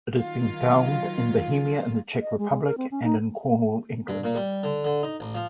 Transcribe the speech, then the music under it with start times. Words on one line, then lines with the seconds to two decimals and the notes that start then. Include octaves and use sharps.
It has been found in Bohemia in the Czech Republic and in Cornwall, England.
0.13 D#3 F#3 F4
2.21 D#5
2.38 G#3
2.51 G#3
2.64 A#4
2.78 C4
2.91 C#4
3.04 D#4
4.08 G2
4.24 A#2
4.36 G3
4.63 D3
4.85 D3
5.03 D#4
5.20 A1
5.35 F3